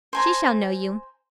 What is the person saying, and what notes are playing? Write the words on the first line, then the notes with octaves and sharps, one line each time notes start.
'She shall know you.
C5 G#5 A#5